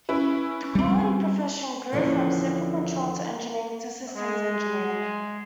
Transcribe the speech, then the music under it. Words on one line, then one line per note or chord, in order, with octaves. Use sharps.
The quality profession grew from simple control to engineering, to systems engineering.
C#4 E4 B4
G3 C4
D#2 D3 E3 F3 C#4 C#5
G#3